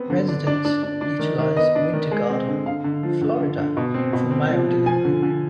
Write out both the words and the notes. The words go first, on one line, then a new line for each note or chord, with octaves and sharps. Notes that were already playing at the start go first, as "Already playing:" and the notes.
Residents utilize Winter Garden, Florida for mail delivery.
Already playing: B3 C4
D3
D4
D4 D5
D4
D4
D4
D#3
D#3
B3 D#5
D4
D#3
G#3
C4
D3
D3 F5
D3
F3
D3
D3
D3
B2
C4
B2
C4
F3
F3
F3 G#5
D3
D3